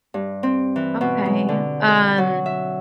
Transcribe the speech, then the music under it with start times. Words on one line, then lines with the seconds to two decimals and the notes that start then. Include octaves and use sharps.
Okay. Um
0.14 G2
0.43 C4
0.76 E3
1.01 B2
1.26 G#3
1.49 D3
1.88 A4
2.18 F#3
2.46 E5